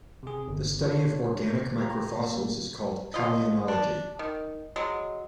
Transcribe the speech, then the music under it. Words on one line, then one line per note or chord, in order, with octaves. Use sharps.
The study of organic microfossils is called palynology.
C3 G#4
G1
D4 F4 C#5
F4 G4 A#5
A#3
F4 D#5
D4
D#3
F#3 G#3